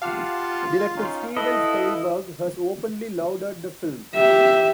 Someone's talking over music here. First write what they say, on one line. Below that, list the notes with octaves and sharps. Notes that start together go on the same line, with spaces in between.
Director Steven Spielberg has openly lauded the film.
F4 G4 F5 F#5 A5
C#4 D#4
E4 A4 B4 D#5 B5
G4 E5